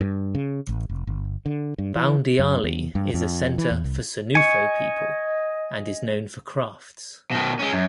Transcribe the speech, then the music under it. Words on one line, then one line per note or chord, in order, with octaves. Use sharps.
Boundiali is a centre for Senoufo people and is known for crafts.
G2
C#3
A1
F1
G1
D3
G2
E3
F#2
E2
G2
F2
E3
E2
C2
D#5 G#5 C#6
B2 D#3
G#3 C#4
F#2